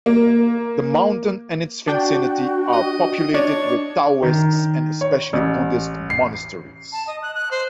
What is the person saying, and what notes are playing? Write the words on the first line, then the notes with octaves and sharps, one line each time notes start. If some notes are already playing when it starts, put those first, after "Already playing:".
The mountain and its vicinity are populated with Taoist and especially Buddhist monasteries.
A#3
D4 F#4 G5
D#5
D4 C#5
D#3
C#5
A1
C7
A5
D#5
F#6
F#6
C5